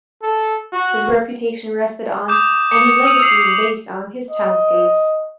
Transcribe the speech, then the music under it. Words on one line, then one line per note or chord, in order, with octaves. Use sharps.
His reputation rested on, and his legacy is based on, his townscapes.
A4
F#4
D6 D#6 G6 E7
D6 D#6 C#7
D#6 E6 G6 D#7 F7
E6 C7
D#5